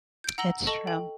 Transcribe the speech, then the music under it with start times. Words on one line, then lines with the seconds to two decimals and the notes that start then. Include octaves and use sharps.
It's true.
0.24 G6 D7
0.38 F#5 A#5 E6 A#6 F#7 G7
0.67 A4 D#5 A5 C#6 A#6 F#7
0.87 A4 G5